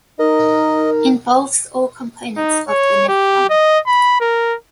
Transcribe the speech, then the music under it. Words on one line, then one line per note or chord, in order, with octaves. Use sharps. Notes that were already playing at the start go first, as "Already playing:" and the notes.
Involves all components of the nephron.
D#4 A#4 D#5
D#4
C#5
G4
D#5
B5
A#4